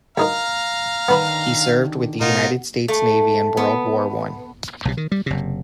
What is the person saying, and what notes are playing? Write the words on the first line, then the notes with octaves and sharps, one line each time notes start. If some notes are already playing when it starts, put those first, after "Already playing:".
He served with the United States Navy in World War One.
D2 D#4 A#4 F5 A#5
D3 D#3 B3 B4 B5
B2 D#4 F4 A#4
A3
B3
B1 C3
D#3
G3
F#1 C3